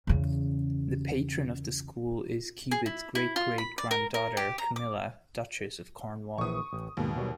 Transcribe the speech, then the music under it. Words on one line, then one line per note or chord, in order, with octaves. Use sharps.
The patron of the school is Cubitt's great-great granddaughter Camilla, Duchess of Cornwall.
E2 C#3
G#4
E4
E4
F4
B5
D5
A#4
A#4
G4
A#5
D6
A#1 E3 C#6 D#6
A1
D#2 G#2 B2
B2 F#3 G3